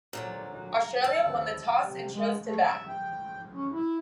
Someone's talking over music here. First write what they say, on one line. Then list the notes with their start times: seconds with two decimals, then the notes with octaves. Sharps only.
Australia won the toss and chose to bat.
0.13 A#2 D3 F#3 C5 D5
0.53 D#4 F#4
0.69 F#5 G5 A#5
1.04 D5 A5 B5 E6
1.26 D#2 C4 B4
1.78 C3
2.13 G#3
2.44 A3
2.63 E5
2.88 G5
3.53 C#4
3.72 E4